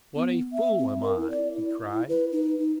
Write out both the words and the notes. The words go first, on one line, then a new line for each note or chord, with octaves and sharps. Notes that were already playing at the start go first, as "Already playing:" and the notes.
"What a fool am I!" he cried.
B3
E5
C4
A#4
E4
D5
E4
E4
B4
D#4
D#4